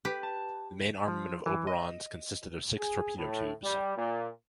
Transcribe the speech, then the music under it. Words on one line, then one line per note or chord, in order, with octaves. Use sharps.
The main armament of the "Oberon"s consisted of six torpedo tubes.
G4 B4
A5
F3
E3
D#5
G#4
A2
G3
A#2